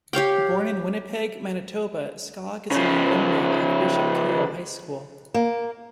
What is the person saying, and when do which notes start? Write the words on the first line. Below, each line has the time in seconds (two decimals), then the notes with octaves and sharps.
Born in Winnipeg, Manitoba, Skauge is an alumna of Bishop Carroll High School.
0.13 G4 C#5 F5 G5
2.71 C#3 F3
5.34 A#3